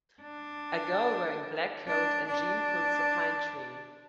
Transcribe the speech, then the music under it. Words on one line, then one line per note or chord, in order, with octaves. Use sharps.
A girl wearing black coat and jean pulls a pine tree.
D4
D4
D4